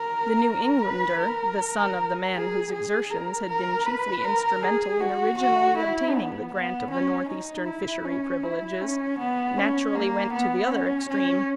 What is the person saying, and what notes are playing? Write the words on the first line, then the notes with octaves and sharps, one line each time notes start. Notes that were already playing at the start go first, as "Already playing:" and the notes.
The New Englander--the son of the man whose exertions had been chiefly instrumental in originally obtaining the grant of the Northeastern fishery privileges--naturally went to the other extreme.
Already playing: A#4
B4
A#4
G#4
G#4
A#4
A#4
B4
A#4
G#4
F#4
F#4
E4
B3
B3
C#4
D#4
E4
C#4
E4
C#4
B3
C#4
A#3
B3
C#4
C#4